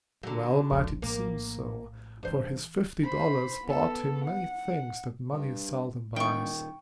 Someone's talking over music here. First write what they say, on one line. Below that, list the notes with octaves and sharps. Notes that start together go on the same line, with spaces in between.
Well might it seem so; for his fifty dollars bought him many things that money seldom buys.
D3 F#3
E1 A#1
A2 F3 A#3
G2 E3 C#4 C5
C5 B5
B3 A4
F#5
G2
E1 A#2 D#3 G5 C#6
D#1